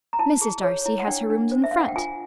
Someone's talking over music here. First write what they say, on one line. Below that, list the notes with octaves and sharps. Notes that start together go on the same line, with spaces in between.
Mrs. Darcy has her rooms in front.
A#5
E4 A5
G#4
C#5
E4
F#5
D4 G5
D4
C5
E5
D4 F5
F#5
G5
F4 G#5